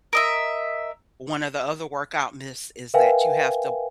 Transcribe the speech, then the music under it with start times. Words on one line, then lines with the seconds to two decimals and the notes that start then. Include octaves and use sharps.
one of the other workout myths is that you have to
0.13 A#4 D#5 E5
2.94 A#4 B4 E5 F5 G5 G#5